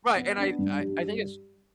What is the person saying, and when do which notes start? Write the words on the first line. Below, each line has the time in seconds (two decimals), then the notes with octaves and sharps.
Right, and I I I think it's
0.16 B3
0.37 D4
0.59 G2
0.80 G3